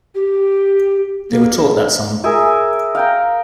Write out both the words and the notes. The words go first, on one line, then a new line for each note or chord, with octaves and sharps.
They were taught that song.
G4
A#3
G#4 A#4 E5 G#5
F5 G5 A#5